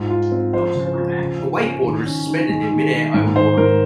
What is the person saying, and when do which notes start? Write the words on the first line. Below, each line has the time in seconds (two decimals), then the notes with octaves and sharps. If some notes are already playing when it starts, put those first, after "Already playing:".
A wakeboarder is suspended in midair over water.
Already playing: G#2 F4
0.10 F4
0.32 C4
0.53 F3 C5
0.75 C#3
0.97 F3
1.19 C#3
1.40 C#3
1.62 C#4
1.84 D#3
2.06 C#4
2.27 D#3
2.49 G#3
2.71 D#3
2.92 D#3
3.14 G#2
3.36 D#3 C5
3.57 G#2 A#4